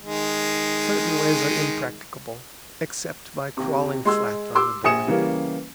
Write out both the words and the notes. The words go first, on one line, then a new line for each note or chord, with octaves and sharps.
Certain ways are impracticable, except by crawling flat on the belly.
D#3 G#3
D#2 C3
G#3 C6 E6
C6 D6 E6
A#1 G#5 D#6 C#7 E7
C#3 E3 G3 A#3 C#4